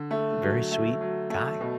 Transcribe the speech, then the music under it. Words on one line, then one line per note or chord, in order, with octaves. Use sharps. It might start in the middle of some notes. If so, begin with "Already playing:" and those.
very sweet guy.
Already playing: D3
A3
F#3
A3
F#3
A3
B2